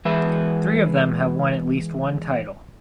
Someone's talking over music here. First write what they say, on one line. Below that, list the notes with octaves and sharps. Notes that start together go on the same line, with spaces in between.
Three of them have won at least one title.
E3 G#3 G#4 B4 E5